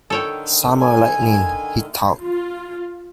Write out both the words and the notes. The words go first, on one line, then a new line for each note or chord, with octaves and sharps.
"Summer lightning," he thought.
D3 D#3 A4 C#5 G5
G#5
F4